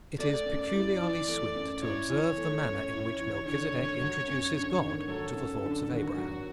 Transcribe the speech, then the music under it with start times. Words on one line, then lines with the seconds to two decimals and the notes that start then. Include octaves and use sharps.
It is peculiarly sweet to observe the manner in which Melchizedek introduces God to the thoughts of Abraham.
0.19 A3 D5
0.46 F#2
0.61 D5
0.73 E4
1.01 E3
1.28 A3
1.55 F#2
1.82 E4 C#5
2.10 E3
2.37 A3
2.64 F#2
2.91 E4
3.18 E3
3.45 D3 C#5
3.73 G#1
4.00 F#3
4.28 F#2
4.55 D3
4.81 G#1
5.08 F#3 A4
5.36 F#2
5.63 D3
5.90 G#1 F#4
6.18 F#3